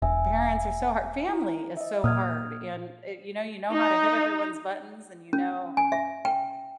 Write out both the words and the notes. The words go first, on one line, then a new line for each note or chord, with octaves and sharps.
Parents are so hard family is so hard and it you know, you know how to hit everyone's buttons and you know,
E1 E5 G#5
E4
D#5 E5
A#2 D#6 F6 G#6
D#4
C#4
G#5
E5
G5